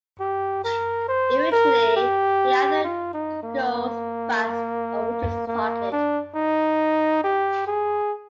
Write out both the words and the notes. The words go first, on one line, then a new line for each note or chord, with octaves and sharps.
Eventually he either goes bust or reaches his target.
G4
A#4
C5
A#4
G4
F4
D#4
A#3
A#3
D4
D#4
G4
G#4